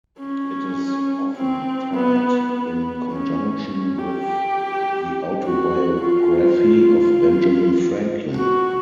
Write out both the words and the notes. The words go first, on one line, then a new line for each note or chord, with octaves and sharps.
It is often taught in conjunction with "The Autobiography of Benjamin Franklin".
C#4
C4
B3
B3
C#4
C#4
G4
G4
F#4
F4
F#4